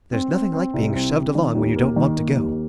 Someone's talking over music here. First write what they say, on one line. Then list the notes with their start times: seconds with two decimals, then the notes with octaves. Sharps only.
There's nothing like being shoved along when you don't want to go.
0.13 C4
0.33 C4
0.53 C4
0.74 C2
0.94 C4
1.14 C4
1.35 D#3
1.55 D#2
1.76 A#3
1.96 D#3
2.17 A#3
2.37 D#2